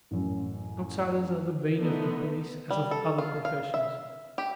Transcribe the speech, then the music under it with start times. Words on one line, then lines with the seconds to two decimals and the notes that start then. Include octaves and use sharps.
Outsiders are the bane of the police as of other professions.
0.11 A1 F#2
1.78 D3 A3 B3 D#4
2.71 G3
2.91 A4
3.18 F4
3.45 F5
3.74 E5
4.38 G4